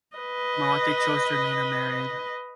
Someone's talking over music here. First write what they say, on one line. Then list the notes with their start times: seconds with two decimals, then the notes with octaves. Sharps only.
Mayawati chose to remain unmarried.
0.17 B4 D#5